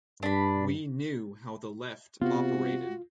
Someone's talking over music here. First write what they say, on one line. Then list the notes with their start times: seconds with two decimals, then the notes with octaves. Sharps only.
We knew how the Left operated.
0.23 G2 D4 B5
2.21 C3 B3 F4 F#4